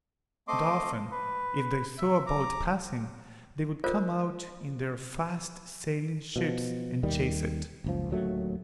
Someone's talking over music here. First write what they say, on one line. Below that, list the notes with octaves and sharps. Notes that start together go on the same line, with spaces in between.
And often, if they saw a boat passing, they would come out in their fast sailing-ships and chase it.
A3 C4 D#5 C6 D6
B4
E5
A#5 D6
F4 A4 A#4 C5 D5
B2 F3
D#2 D#3 G3
F#1 C#2 F3
D1 D#2 F#3 A3